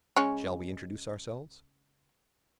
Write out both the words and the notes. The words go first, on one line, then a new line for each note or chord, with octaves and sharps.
Shall we introduce ourselves?
C#3 G#3 C#4